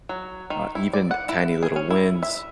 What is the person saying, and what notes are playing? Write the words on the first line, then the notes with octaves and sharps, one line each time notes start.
Uh, even tiny little wins
F#3
D#3
E4
D5
F#5
E4
G#4
C#4
E4
E5